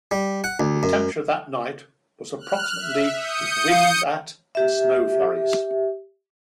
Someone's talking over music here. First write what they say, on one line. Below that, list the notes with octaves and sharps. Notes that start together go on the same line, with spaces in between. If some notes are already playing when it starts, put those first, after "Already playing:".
The temperature that night was approximately with winds at and snow flurries.
G3
F#5
D2
F#2
F6 F#6
E5
D#6 G6 C#7
F5
G4 E5